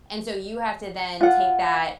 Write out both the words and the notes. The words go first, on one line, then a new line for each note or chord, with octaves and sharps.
and so you have to then take that
F4 F#5